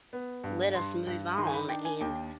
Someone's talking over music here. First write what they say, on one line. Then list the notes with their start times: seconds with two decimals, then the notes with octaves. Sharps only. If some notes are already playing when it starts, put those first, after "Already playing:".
let us move on, and
0.13 B3
0.44 G2
0.75 G2 C6
1.07 G2
1.33 B5
1.38 D#3 C6
1.47 G#5
1.54 B5
1.69 D4 G5
1.85 G#5
2.01 D#2 G5